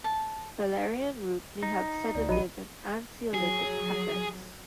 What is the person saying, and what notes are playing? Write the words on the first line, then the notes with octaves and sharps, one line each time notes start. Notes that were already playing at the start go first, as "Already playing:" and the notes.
Valerian root may have sedative and anxiolytic effects.
A5
D#4
D2 D5
A#1 F#3 D#5 B5 D#7
F#3 G#4